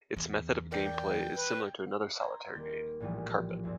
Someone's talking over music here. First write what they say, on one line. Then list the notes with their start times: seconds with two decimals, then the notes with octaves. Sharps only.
Its method of game play is similar to another solitaire game Carpet.
0.16 E2
0.72 A#4 D5 G5
1.35 B4
2.20 A#5 C6 G6 G#6
2.53 D#1 A#3 G6
3.00 A#1 A2 E3 F3 G3
3.63 G1 E2 C4